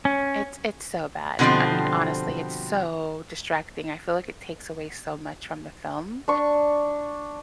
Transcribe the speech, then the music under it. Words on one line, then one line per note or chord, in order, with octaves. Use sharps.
It's it's so bad. I mean, honestly, it's so distracting. I feel like it takes away so much from the film.
C#4
B2 D3 F3 G3 C4
D4 C#6